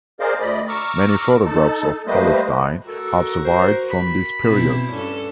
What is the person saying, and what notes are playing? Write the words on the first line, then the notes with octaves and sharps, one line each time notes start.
Many photographs of Palestine have survived from this period.
G#4 A#4 C5 D5 D#5 F5
D2 D5 D#5 B5
A#5 C#6 D6 E6 F6
D#4 A4 A5
G3 A3 A#3 B4 C5 D#5
F#4 A4 A#4
C5
B5
B2 C4 E4
G2 C#4 A4